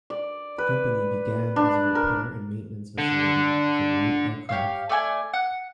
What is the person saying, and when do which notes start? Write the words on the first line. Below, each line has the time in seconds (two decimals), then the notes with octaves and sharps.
The company began as a repair and maintenance facility for light aircraft.
0.10 D5
0.58 B4
1.56 D4
1.95 A#4
2.98 D3
4.49 G4 C#5 F5
4.89 A3 D5 F#5 G#5
5.33 F#5